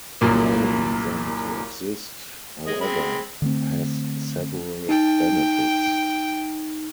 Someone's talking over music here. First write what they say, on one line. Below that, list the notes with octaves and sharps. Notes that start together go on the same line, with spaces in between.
Allowing them to exist, however, has several benefits.
C2 F#2 A#2 A#3
G#3 D#5
G#3 C4 B5
D3 A3 C4
D#4 G5